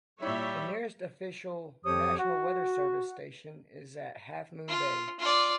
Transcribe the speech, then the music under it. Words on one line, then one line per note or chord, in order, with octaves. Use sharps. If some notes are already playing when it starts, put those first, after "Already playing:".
The nearest official National Weather Service station is at Half Moon Bay.
A#2 G3 E4 C#5 E5
F2 F3 G4 C#5 D#6
F#4
F4
F4 D5